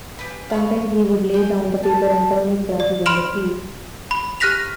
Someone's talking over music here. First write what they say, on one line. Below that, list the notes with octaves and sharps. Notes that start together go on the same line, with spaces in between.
Sometimes he would lay down the paper and turn his glasses on the sea.
G4 G#4 B4
F5 B5 C#6
G5 G#5
A5
D5
B5 C6 F6 D7 E7 F#7
B5
G4 F6 F#6 A#6 B6 F7